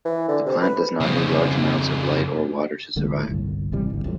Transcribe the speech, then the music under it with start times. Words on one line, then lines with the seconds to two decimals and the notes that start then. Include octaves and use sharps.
The plant does not need large amounts of light or water to survive.
0.05 E3
0.28 D3
0.46 C3
0.62 B4
1.00 F2 C#3
2.96 C2 D3 G#3 A#3
3.16 D#2 A2
3.28 G1 C2
3.72 G#1 C3 E3 G3
3.90 G#1 D2
4.04 D#1 C2 F2 A2